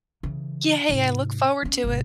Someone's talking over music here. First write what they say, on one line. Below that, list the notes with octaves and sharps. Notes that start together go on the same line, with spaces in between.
Yay. I look forward to it.
C#3 E3
G#2 C3
B3 C#4
G#1 C3